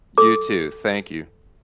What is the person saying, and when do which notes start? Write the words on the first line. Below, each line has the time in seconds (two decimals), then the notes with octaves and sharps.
You too, thank you.
0.18 A4 D6